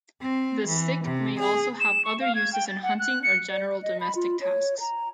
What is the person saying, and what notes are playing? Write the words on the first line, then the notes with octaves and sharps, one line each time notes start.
The stick may also have other uses in hunting or general domestic tasks.
C4
E3
C3
G#4
E7
C#6
F5
G#6
G5
A6
F#5
F#6
C#7
D5
D#5
B5
F4
C#5
A#5